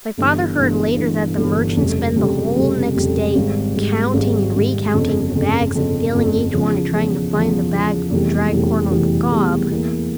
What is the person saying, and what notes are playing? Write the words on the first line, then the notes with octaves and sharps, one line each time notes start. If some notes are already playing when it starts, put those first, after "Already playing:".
My father heard later that the merchant spent the whole next day counting and recounting the bags and feeling each one trying to find the bag of dried corn on the cob.
G1 G2 E3
G1 G2 E3
G1 G2 E3
G1 G2 E3
F1 F2 C#3 G3
F1 F2 C#3 G3
F1 F2 C#3 G3
F1 F2 C#3 G3
G#1 G#2 G3
G#1 G#2 G3
G#1 G#2 G3
G#1 G#2 G3
G1 F2 C#3
G1 F2 C#3
G1 F2 C#3
G1 F2 C#3
E2 C#3 F3
E2 C#3 F3
E2 C#3 F3
E2 C#3 F3
F1 E2 E3 G3
F1 E2 E3 G3
F1 E2 E3 G3
F1 E2 E3 G3
E2 E3 A#3